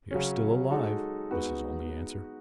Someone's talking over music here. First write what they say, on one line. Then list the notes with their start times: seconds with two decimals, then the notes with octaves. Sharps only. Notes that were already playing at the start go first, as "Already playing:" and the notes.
"We are still alive," was his only answer.
0.11 C#3 F#3 C#4
0.71 G#3 D#4 F#4 A4
1.31 G#3 B3 D#4 F#4 B4